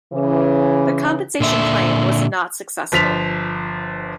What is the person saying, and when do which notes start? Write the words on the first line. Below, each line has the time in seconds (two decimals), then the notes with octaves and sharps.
The compensation claim was not successful.
0.13 C#3 E3
1.40 A#2 D3 E5
2.92 G1 F3 B6 F7